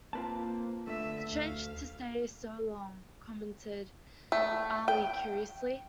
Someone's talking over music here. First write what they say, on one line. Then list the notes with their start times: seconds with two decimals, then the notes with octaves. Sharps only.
"Strange to stay so long," commented Ali curiously.
0.13 A#3 C4 F4 B4 A5
0.87 D3 A3 E5
1.33 D2 F5
4.32 A3
4.88 G5